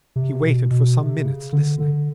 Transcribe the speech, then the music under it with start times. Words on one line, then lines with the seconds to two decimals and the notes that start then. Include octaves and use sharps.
He waited for some minutes listening.
0.16 C3
0.43 B2
0.71 B2
0.98 C3
1.25 C#3
1.52 D3
1.80 D3